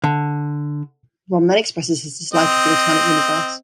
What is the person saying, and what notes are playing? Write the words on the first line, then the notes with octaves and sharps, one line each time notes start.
Rom then expresses his dislike of the alternate universe.
D3
C4 D#5